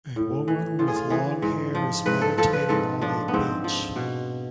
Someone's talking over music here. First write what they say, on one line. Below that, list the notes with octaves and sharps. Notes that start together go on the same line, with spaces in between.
A woman with long hair is meditating on a beach.
A2
E3
A2 F4
G#4
F4
E3 G#4
G#2
F3
G#2 B4
A4
F3 A4
B4
G#2 A4
F3 D4
B3
G#2 C4
F3
B2